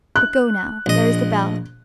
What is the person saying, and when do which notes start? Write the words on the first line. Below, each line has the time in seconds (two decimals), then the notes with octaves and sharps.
But go now; there is the bell.
0.16 F#6
0.86 A#1 D#5